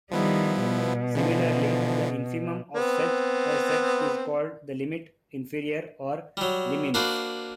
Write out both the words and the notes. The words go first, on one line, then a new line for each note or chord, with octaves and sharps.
Similarly, the infimum of such a set is called the limit inferior, or liminf.
D#3 F3 G3 B3 E4
B2
D3 E3 F3
B3 C4
F#3 G3
A#3 D4 F#4 B4 C5